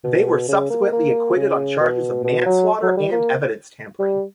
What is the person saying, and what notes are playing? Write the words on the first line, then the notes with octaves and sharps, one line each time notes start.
They were subsequently acquitted on charges of manslaughter and evidence tampering.
B2
C#3
A#3
A#3
C#3
B2
B2
F#3
F#3
G3
A#3
G3